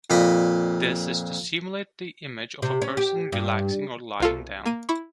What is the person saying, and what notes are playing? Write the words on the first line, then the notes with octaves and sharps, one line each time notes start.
This is to simulate the image of a person relaxing or lying down.
F2 A#2 D5 D#5 B5 D#6
C3
C#4
G4
G2
C2 F4 A4
A#3 D#7
E4 B5 C#6